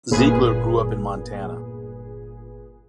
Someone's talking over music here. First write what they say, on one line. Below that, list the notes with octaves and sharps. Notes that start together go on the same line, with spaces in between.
Ziegler grew up in Montana.
G1 A#2 G#4 B4